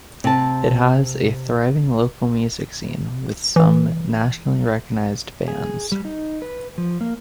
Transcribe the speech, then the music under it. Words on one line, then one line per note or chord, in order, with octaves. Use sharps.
It has a thriving local music scene with some nationally recognized bands.
C3 A5
E3
G#4
G3
D#4
B4
F3
A#3